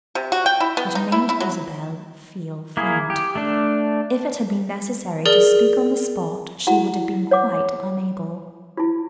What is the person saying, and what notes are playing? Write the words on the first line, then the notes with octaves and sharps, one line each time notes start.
It made Isabel feel faint; if it had been necessary to speak on the spot she would have been quite unable.
C3
F#4
G5
E4
B3
D#4
E4
E4
F#3
A#3 E4 G#4
G4
A3 D4
G#4 A#4 D5
E4 F#4 F#5 A#5
C#5 F#5 D6
E4 F4